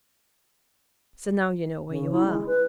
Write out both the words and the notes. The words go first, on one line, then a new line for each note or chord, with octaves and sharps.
So now you know where you are.'
C#3
E4
G#3
B4